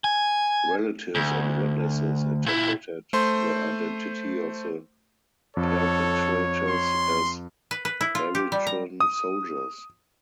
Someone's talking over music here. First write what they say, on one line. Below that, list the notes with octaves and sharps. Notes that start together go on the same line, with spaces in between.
Relatives and witnesses interpreted the identity of the perpetrators as Eritrean soldiers.
G#5
D2
A#2 E4
A3 C5 C6
F2 A4 C#5
C6
B4
B4
E4
F4
G4
G3
A#5
D#6